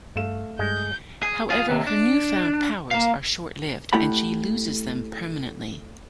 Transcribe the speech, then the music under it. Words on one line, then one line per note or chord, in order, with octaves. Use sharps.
However, her new-found powers are short-lived, and she loses them permanently.
G2 A3 F5 E7
G2 G#3 G6
G#4
F4 G#4
D#2 C3
D4
A#3 F5
A3 E4 G4 F#5 B5